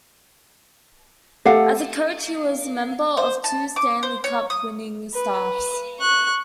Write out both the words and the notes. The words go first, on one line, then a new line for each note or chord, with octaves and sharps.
As a coach, he was a member of two Stanley Cup-winning staffs.
A3 G4 F5 F#5
C5
A5
D6
C5
C#5
D#6
B4
C#6 F#6